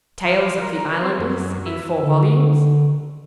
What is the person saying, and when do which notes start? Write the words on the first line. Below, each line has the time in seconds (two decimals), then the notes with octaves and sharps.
Tales of the Islanders, in four volumes.
0.25 F3
0.61 A#4
1.02 C4
1.19 F#2
1.66 E4
2.03 D3